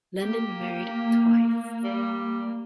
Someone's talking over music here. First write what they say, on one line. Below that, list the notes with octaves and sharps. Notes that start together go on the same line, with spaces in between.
London married twice.
A#3 G4
G3